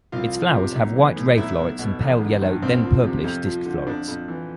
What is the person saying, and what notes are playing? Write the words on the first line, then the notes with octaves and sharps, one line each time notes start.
Its flowers have white ray florets and pale yellow then purplish disk florets.
C2 F4
F3
C3
B1
E3
A2
B1 E4
B1
B2
A1
D3
G2
C2 C4
F3
C3
F2
F3
D3
F2 D4
F2
E3